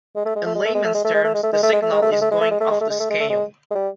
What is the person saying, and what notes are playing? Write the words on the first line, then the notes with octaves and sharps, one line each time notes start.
In layman's terms, the signal is going "off the scale".
G#3
A3
G#3
A3
G#3
A3
G#3
A3
G#3
A3
G#3
A3
G#3
A3
G#3
A3
G#3
A3
G#3
A3
G#3
A3
G#3
A3
G#3
A3
G#3
A3
G#3
A3
G#3
A3
G#3
G#3
G3